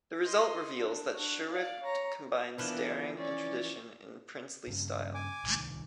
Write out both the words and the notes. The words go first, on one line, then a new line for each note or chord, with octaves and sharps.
The result reveals that Schuricht combines daring and tradition in a princely style.
D#5 C6
D4
D4 F#4
D5 F5
C#5 A#5
E3 F3 A#3 B3 D4
C#4 D5
G2 C#3
G#5 D6
D1 C2 D#3